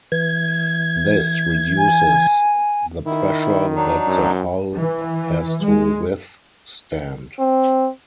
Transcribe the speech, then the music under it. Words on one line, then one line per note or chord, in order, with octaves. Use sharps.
This reduces the pressure that the hull has to withstand.
E3 G#6
G#5
D#3 E4
E4
F#3 D4 D#4
F#2
E3
G#3
C4